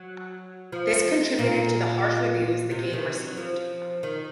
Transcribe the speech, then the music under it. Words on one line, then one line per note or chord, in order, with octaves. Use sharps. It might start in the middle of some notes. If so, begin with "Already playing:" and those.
This contributed to the harsh reviews the game received.
Already playing: F#3
F3
A#2
C3
D#3
F#3
F3
D#3